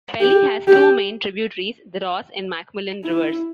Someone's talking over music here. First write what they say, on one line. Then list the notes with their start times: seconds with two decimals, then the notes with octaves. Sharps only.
The Pelly has two main tributaries, the Ross and Macmillan rivers.
0.20 G4
0.67 G4
3.04 E4